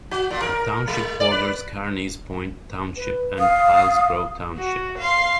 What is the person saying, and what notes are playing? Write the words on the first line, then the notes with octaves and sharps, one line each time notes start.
The township borders Carneys Point Township and Pilesgrove Township.
F#4
A#2
A#4
G#3
D5
B4
B4
F5 D#6
F#4
F5 C6